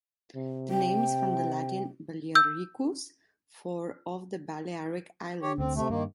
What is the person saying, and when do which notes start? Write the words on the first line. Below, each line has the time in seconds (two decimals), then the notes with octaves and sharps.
The name is from the Latin "Baliaricus" for "of the Balearic Islands".
0.35 C3
0.71 G5
2.35 E6 G6
5.42 G4 C#5
5.58 D2 D3 C4
5.75 C3 A3
5.90 G2 D#3 A#3